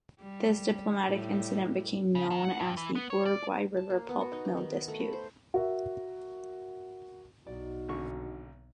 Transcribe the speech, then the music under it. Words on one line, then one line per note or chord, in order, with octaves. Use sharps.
This diplomatic incident became known as the "Uruguay River pulp mill dispute".
G3
A2 G3
C#3
D#3
F#5
G2
E3
B3
C#5
D5
A5
A#3
B3
F#4
D#4
G4
D#3
F#4
A3
B5
C5
F#4 A#4 E5
B1 D#4 F#4 D5
G#1 D3 C#6